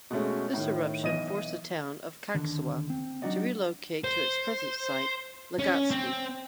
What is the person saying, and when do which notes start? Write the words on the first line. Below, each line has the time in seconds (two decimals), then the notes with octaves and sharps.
This eruption forced the town of Cagsawa to relocate to its present site, Legazpi.
0.11 B2 G#3 A3 C#4
0.54 A2 D#3
1.03 B1 E3 D#5 D#6 A#6 D#7
2.34 D#2 D3
2.90 C4
3.22 F#3 D4 D#4 F#4 D5 D#5
4.04 C5
5.59 C#4
5.91 C4